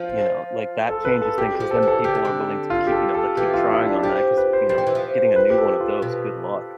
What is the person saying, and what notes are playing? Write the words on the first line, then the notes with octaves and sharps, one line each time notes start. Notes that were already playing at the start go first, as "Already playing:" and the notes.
You know? Like, that changes things 'cause then people are willing to kee you know, they keep trying on that 'cause, you know, getting a new one of those Good luck,
Already playing: F3 F4
A4
B4
A4
G3 G4
G4
F3
A4
E3
A4
D3 G4
C3
D3
F4
G4
A4
A4
E3 G4
F4
E4
D4
F3 G4
B4
C5
G3 C5
F3
E3
F3
B4
G4
A4
F4
B2